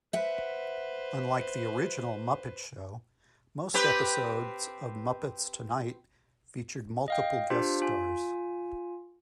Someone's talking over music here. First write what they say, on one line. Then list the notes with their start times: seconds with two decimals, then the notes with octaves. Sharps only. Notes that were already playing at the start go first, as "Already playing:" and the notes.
Unlike the original "Muppet Show", most episodes of "Muppets Tonight" featured multiple guest stars.
0.13 B4 C5 E5 F#5
3.74 C4 G4 B4
7.08 D#5 F5 G5
7.50 D4 F4 G4 C5
7.82 F4 G#5